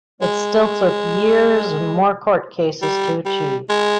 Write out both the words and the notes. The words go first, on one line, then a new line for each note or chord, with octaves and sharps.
It still took years and more court cases to achieve.
G#3
G3
G3
G#3